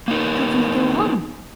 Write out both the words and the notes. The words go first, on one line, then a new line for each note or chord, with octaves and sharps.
How can I go on?
A#3 B3 D#4 A#4